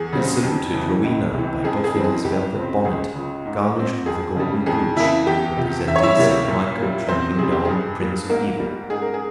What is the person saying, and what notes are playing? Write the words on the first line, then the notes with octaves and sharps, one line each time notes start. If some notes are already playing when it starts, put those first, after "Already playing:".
He saluted Rowena by doffing his velvet bonnet, garnished with a golden broach, representing St Michael trampling down the Prince of Evil.
Already playing: E2 G#4
C#3 G3 C4
F2
C#3 E3
C#2
C3 E3
F2 G#4
G#4
E3 G3 C4
G#4
C#2 G4
C#3 F3 C4
C#2 G#4
C#3 F3
G#2
F3 C4
F2 G#4
C#3 G3
F2 G#4
C#3 E3 A#3 E4 E5
E2 G4 G5
C3 F3
E2 E5
C#5
E4 E5
C3 G3 A#3
A#2
G3 A#3
E2 C4 C5
C3 G3 G#4
G4
G2 G#4
G3 A#3
G#2 A#3 A#4
G3 A#3
G#2 G#4
A#4
G#4